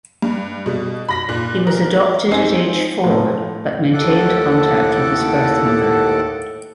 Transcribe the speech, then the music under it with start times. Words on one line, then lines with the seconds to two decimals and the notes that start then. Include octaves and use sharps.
He was adopted at age four but maintained contact with his birth mother.
0.22 G2
0.66 B2 G3
1.09 B5 A#6 B6
1.29 A#2 D4 F#6
1.67 A#4
2.31 C4 D#4 G#5 C7
3.04 A2 F3 A3
3.93 D#2 A2 A4 F#5 D6